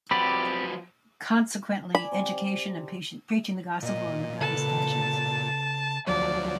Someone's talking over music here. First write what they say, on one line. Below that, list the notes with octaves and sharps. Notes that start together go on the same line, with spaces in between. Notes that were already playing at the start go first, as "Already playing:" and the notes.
Consequently, education and preaching the Gospel were McGuffey's passions.
F3 F#3 B3 C4 G4 D5 B5
D5 G#5 B5
C3
A#2 D#5
C#3 A4 B4 A5
D2 F3 F#3 D5